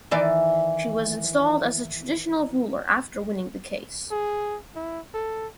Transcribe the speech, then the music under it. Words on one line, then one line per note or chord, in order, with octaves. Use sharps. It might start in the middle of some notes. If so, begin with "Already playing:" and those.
She was installed as the traditional ruler after winning the case.
D#3 E3 D5
G#4
E4
A4